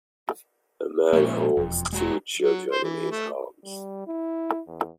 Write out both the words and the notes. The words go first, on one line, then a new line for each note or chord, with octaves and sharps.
A man holds two children in his arms.
A#2 F3 G#3 A#3 C#4 E4
E1 F2
G#3 F#4 A#5
F#3
C5
E3
A3
G3
E4
E2